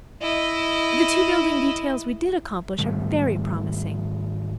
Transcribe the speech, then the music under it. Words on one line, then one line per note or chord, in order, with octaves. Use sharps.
The two building details we did accomplish are very promising.
E4 D#5
G#2 D#3 G3 A3